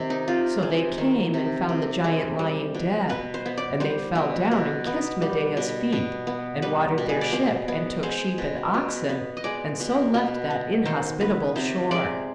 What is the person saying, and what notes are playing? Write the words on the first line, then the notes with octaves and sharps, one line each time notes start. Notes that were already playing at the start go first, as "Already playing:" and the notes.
So they came, and found the giant lying dead; and they fell down, and kissed Medeia's feet; and watered their ship, and took sheep and oxen, and so left that inhospitable shore.
Already playing: C3 D#3 C4
D#4
C3 F4
G#3
D#3
C3
C3
G#3
G3
B2
B2 B4
C5
B3
D5
G3 C5
B2
B2
B3
G3
B2
B2
B3
G3 B4
B2
G#4
D5
B2 C5
B3
G#3 C5
B2
B2
B3
D#5
G#3 D5
B2
B2
B3
D#3 C5
B3 B4
C3 C5
G#3 D5